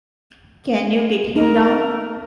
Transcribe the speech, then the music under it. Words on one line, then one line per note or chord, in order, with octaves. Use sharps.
Can you get him down?
D#4 A#4